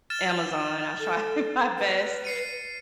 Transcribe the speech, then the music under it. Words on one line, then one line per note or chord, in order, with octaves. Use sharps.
Amazon. I try my best,
F6 A6 E7
A4
B4
C7 C#7 D#7